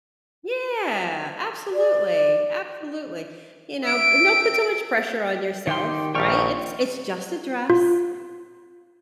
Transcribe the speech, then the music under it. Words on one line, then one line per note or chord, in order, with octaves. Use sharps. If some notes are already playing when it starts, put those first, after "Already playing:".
Yeah, absolutely, absolutely. You know b don't put too much pressure on yourself, right? It's it's just a dress,
D5
E5 D7
D#3 G4 C6
A#1 G5 C#6 F6
F4